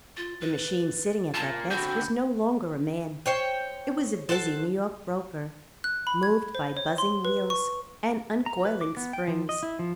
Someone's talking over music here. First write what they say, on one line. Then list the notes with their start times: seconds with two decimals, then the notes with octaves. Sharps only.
The machine sitting at that desk was no longer a man; it was a busy New York broker, moved by buzzing wheels and uncoiling springs.
0.17 F4 A6
0.41 B4
1.34 A#3 F4 A5
1.70 D3 C4 F#4 B5 G6
3.26 C5 C#5 G5
4.29 A4 C5 F#5 A5
5.84 F#6
6.07 B5
6.23 G#6
6.55 C5
6.77 C#5
6.98 C6
7.25 B4
7.50 C#6
8.46 A#5
8.65 B4
8.81 D6
8.97 B3
9.13 G5
9.28 F3
9.49 D#5
9.63 E4
9.79 F3